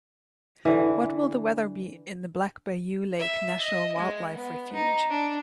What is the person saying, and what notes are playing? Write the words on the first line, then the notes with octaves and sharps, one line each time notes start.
What will the weather be in the Black Bayou Lake National Wildlife Refuge?
D3 E3
E5
D#5
G#3
B3
D#4
D4